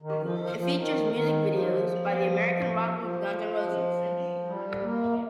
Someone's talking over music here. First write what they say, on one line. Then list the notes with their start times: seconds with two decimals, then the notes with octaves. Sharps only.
It features music videos by the American rock group Guns N' Roses.
0.02 D#3
0.21 F3
0.39 F3
0.57 F3
0.76 D#3
1.13 D#3
1.50 F3
2.98 F3
4.46 G3
4.82 A#3